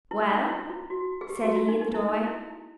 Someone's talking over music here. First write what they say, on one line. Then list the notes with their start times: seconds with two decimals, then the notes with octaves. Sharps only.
"Well?" said he in the doorway.
0.11 E4
0.31 D#4
0.50 E4
0.70 F4
0.90 F#4
1.21 G#4
1.29 G4
1.43 F#4
1.56 F4
1.68 D#4
1.81 D#4
1.94 E4
2.08 D#4
2.27 E4